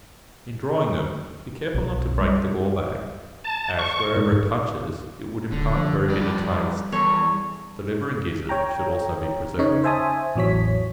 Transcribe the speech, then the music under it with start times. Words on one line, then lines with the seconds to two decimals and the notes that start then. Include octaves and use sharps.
In drawing them, be careful not to break the gall-bag, as, wherever it touches, it would impart a very bitter taste; the liver and gizzard should also be preserved.
1.75 B1
2.20 G3
3.44 A5
3.79 C#6
4.16 G#2
5.52 D1 D3
5.76 F3
6.08 F2 G3 D5
6.92 E2 A4 C#5
8.49 C#5 G5 A#5
9.59 C#3 D#4 C#5 D#5
9.84 C5 E5 G#5 A5 D#6
10.35 A1 E2 F#3 C#5 B6